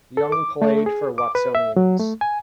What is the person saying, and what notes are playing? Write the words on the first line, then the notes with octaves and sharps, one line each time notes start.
Young played for Watsonians.
A4
D6
A3
G#4
D6
B4
E5
F#3
A3
G#5